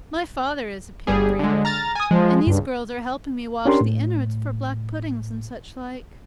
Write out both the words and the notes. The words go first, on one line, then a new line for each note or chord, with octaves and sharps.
"My father is a pig-breeder, and these girls are helping me wash the innerds for black-puddings and such like."
G1 G3 G#4
D3 G#3
A#5 F6 A6
G#5 D#6
F3 G#3
C#2 G2
C#4 D4 G4 A#4 C6
A2